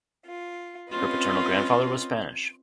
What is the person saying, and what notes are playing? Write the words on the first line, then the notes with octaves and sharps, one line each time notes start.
Her paternal grandfather was Spanish.
F4
C4 C#4 F4 B4 D#5